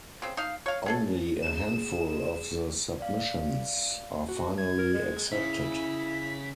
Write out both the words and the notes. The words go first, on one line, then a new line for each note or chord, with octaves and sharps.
Only a handful of the submissions are finally accepted.
C#3 C4
D#4 F5
C#5 F5
C#4 G#4 A4
G#4 E7
D5 F5
F#4
G#6
A#4
G#3
C#3 E4 B6